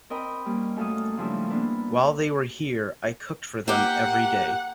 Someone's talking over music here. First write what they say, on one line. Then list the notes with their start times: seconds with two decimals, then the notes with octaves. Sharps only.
While they were here, I cooked for them everyday.
0.10 C4 A#4 D#5 G5 A#5 B5
0.46 G3 A#3 C#4
0.76 F#2 A3 A4 F5 A5 D#6
1.18 C#3 F3 G3 A3 D4 E4
1.50 A#3 B3 D4 B4
3.68 A#3 G4 F#5